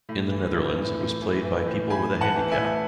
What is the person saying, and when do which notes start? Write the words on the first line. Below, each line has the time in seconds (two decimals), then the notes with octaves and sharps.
In the Netherlands it was played by people with a handicap.
0.09 A2
0.32 E3
0.55 E3
0.78 A2
1.00 A2
1.22 E3
1.45 E3
1.68 A2
1.90 A2 G#5 B5
2.13 E3
2.21 F#5 A5
2.36 E3
2.52 E5 G#5
2.59 A2